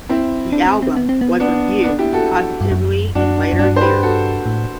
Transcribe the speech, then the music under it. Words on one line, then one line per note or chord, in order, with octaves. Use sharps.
The album was reviewed positively in later years.
C4 E4
D4
C4
C4
B3
C4
B3
B3 D4
B3 D4
E4 G4
F#4 A4
G2
F#2
F#2 D4 F#4
F#2
G2 D4 F#4
C5
G4 B4
F#4 A4
A2